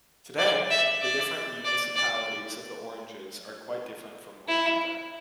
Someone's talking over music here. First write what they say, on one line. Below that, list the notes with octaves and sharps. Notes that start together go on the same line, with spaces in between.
Today, the different municipalities of the Oranges are quite different from one another.
D5
E5
D5
D5
D5
E4